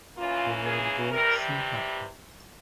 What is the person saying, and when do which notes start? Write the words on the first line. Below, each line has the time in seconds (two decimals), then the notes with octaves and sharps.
They were divorced soon after.
0.18 E3 A#3 C#4 F4
0.65 G#4
1.12 C3 E3 G3 A#4